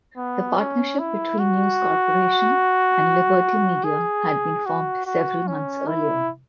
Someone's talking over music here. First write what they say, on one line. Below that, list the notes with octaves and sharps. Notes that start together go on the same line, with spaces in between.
The partnership between News Corporation and Liberty Media had been formed several months earlier.
B3
C#4
E4
F#4
G#4
F#4
F#4
C#4
E4